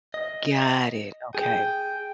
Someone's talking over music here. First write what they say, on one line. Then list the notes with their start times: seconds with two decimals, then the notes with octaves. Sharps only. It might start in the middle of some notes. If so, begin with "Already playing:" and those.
Got it, okay.
0.14 D#5
1.35 G#4 G5